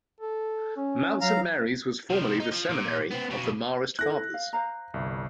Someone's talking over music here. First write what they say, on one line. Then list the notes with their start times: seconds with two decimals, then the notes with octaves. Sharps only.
Mount Saint Mary's was formerly the seminary of the Marist Fathers.
0.21 A4
0.77 C#4
1.21 F#3 F5 A#5
2.10 C3 F3
2.40 D#4
2.52 F3
2.69 A#2
3.11 B3 C4
3.30 F2 B2
3.99 E4 A4 F#6 A#6
4.34 F5
4.53 C5 F5 A#5
4.94 G1 C2